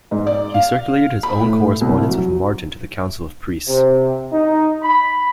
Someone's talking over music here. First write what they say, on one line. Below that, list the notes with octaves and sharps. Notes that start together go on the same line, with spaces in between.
He circulated his own correspondence with Martin to the Council of Priests.
G#2
D5
F5
B5
A2
C2
F#3
C3
D#4
B5